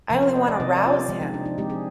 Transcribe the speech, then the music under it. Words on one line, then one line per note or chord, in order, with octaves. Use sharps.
I only want to rouse him.
C3 F3 C4 A#4
C5
D#5
D5
C3 F3 C4 D#5
D5
F4
G4
F3 G#3 C4
D#4
D4
D#4
F3 G#3 C4 G4
G#4